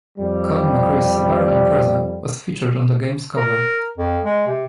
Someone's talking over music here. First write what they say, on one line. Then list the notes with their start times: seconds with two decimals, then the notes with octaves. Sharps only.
Colin McRae's Subaru Impreza was featured on the game's cover.
0.19 F2 G3
3.37 A#4
3.98 F2
4.25 G#3
4.47 C3